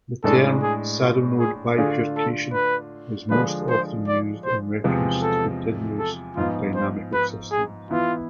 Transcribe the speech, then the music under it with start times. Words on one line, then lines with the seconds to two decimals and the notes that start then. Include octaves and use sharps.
The term 'saddle-node bifurcation' is most often used in reference to continuous dynamical systems.
0.24 A2 G#3 D4 A4
0.62 G#4
1.01 F4
1.39 G#4
1.77 D3 A3 D4 F4 G#4
2.16 A4
2.53 B4
3.30 D3 F3 G#3 D4 B4
3.70 C5
4.08 D5
4.45 C5
4.84 E2 C3 F3 G#3
5.23 A4
5.99 A4
6.36 G#2 F3 B3 F4
6.75 C5
7.14 B4
7.52 G#4
7.91 E3 B3 E4 F4